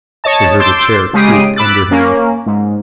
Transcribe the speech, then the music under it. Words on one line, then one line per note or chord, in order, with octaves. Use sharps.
They heard a chair creak under him.
C#5 D#5 A5
C6 D6 E6 G6 A6
C#3 G#3 G4 D#6 C7 D7
B5 D6 E6 F#6 A6
A#3 C#4
G#2